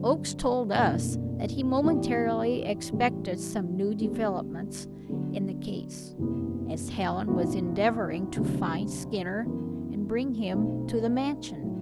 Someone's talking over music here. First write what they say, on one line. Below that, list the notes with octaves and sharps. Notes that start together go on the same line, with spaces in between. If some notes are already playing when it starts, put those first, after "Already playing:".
Oakes told us that he momentarily expected some new developments in the case, as Hallen was endeavoring to find Skinner and bring him to the Mansion.
Already playing: G2 D3 F#3 C4
F#1 E2 B2 A3 D4
A2 E3 B3 D4 G4
A1 A2 E3 G3
D2 D3 G3 B3
D3 F#3 B3 F#4
F#1 E2 C3 E3 B3
B1 A2 E3 B3 F#4
D2 C3 F#3 B3
F#2 E3 B3
B1 B2 A3 C4
A2 F#3